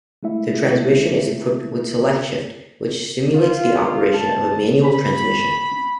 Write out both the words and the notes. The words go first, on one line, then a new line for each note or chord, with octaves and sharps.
The transmission is equipped with "SelectShift" which simulates the operation of a manual transmission.
G#3 A3 E4 E5
F4
A5
B5